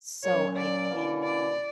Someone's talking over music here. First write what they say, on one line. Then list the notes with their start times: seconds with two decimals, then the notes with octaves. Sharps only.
so I can
0.24 A#2 F#3 C#4 C#5
0.57 D5
0.91 B2 A#3 C#4 E4
1.24 D5